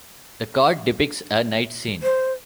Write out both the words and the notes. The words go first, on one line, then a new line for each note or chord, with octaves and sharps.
The card depicts a night scene.
C5